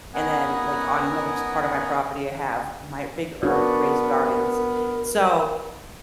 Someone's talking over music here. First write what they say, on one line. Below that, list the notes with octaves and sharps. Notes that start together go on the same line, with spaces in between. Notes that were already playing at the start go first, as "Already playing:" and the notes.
and then, like, on another s part of my property, I have my big herb raised gardens. So,
B3 C#4 D#4 A#4 F#5 G#5
B3 D4 F#4 A#4